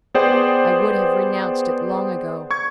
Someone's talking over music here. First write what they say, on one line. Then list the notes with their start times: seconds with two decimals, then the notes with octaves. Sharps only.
I would have renounced it long ago.
0.14 B3 G#4 C5 D5 G5
2.51 C#6 G#6